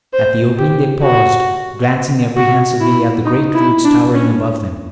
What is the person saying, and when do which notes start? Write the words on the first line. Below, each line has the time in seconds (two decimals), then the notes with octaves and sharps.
At the opening they paused, glancing apprehensively at the great roots towering above them.
0.13 C5
0.58 G4
1.02 F#4
2.36 F#4
2.80 E4
3.25 D#4
3.55 E4
3.84 D4
4.14 C#4